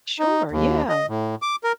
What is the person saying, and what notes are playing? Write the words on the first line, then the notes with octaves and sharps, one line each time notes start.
Sure, yeah.
D#4
D#2
D#5
A2
D6
A#4